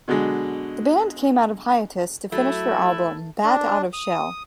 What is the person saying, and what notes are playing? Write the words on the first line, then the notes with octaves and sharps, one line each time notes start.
The band came out of hiatus to finish their album "Bat Out of Shell".
B2 D3 F#3 G#3
F#3 A3 E4
D4
D#6